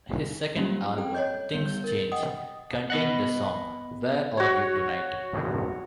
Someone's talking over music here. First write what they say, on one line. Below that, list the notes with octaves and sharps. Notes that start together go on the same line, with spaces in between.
His second album, "Things Change", contained the song "Where Are You Tonight".
F#3 G3 A#3 C#4 F4 G4
C4 A4 G5
C#5 D#5 G6
D3 G3 B3 G6 G7
A#4 A6
D#5 F#5 G5 D#6
B3 D#5 F#5
F#4 C#5